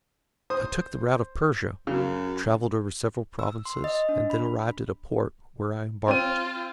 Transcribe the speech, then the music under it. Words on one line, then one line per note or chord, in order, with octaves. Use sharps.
I took the route of Persia, travelled over several provinces, and then arrived at a port, where I embarked.
C5 D#6
F#2 C#3 F#3
E6
C6
D#5
D4
B5
C4 F4 D#7